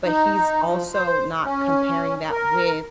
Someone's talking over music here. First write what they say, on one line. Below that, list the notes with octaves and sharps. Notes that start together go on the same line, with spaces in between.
but he's also not comparing that with
D#4
F3
C5
C#4
A#4